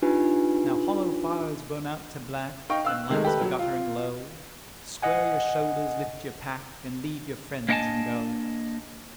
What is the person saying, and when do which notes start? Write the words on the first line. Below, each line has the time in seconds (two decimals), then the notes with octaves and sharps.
Now hollow fires burn out to black, And lights are guttering low: Square your shoulders, lift your pack, And leave your friends and go.
0.02 D4 D#4 F4 G4 B4 G#5
2.69 D#4 F5 G5 C#6
2.85 F5 E6 F#6
3.09 C3 D#3 G#3 A3
3.24 G4 A4 B4
3.42 F#3
3.59 F4
5.02 D#5 F#5 G#5
7.69 A#3 D4 D#5 F#5 G#5 A5